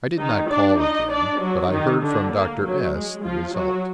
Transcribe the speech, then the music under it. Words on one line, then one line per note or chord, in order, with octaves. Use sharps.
I did not call again, but I heard from Dr. S-- the result.
D#3 D#4
D4 D5
D#4 D#5
D4 D5
F#3 F#4
D#3 D#4
D3 D4
A#3
F#3
G#3
F3 F4
F#3 F#4